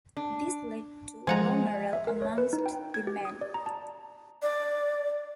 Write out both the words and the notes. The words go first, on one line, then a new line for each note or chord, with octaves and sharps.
This led to low morale amongst the men.
D4
F3 G#3 F#5 G#5 A#5
E5
A#4
C#5
B4
D#4
G5
G#6
G4
D#6
D5
A#5
A5
D5